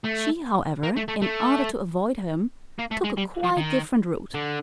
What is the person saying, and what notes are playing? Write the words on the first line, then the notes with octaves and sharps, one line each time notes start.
She, however, in order to avoid him, took a quite different route.
A3
A#3
A3
A3
A3
A#3
A3
G#3
G3
F3
D#3
D3